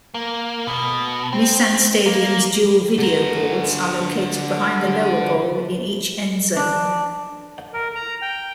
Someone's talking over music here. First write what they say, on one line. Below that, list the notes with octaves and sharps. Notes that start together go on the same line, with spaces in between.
Nissan Stadium's dual videoboards are located behind the lower bowl in each end zone.
A#3
B2
C4
A#3
D3 A#5
D4
A#4
A#5
G5